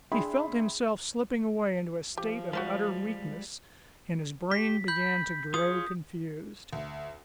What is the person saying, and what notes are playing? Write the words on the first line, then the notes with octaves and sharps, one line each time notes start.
He felt himself slipping away into a state of utter weakness, and his brain began to grow confused.
D4 G#4 E5 G5 B5 C6
F3 G4
G3 G#3 F#4 C5 F5
G4 B6
B5 G6
F4 G#4 C#5 D#6
D2